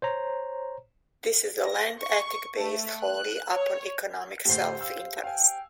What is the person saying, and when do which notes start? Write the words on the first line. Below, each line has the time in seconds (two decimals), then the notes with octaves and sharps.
This is a land ethic based wholly upon economic self-interest.
0.02 C5 C#5 A#5
1.65 A#6
2.00 C#6
2.57 A3
3.02 F#6
3.53 C#5
4.45 A2 D3 A3 G4 C5
4.81 F5 E6
5.24 F5 G5 G#5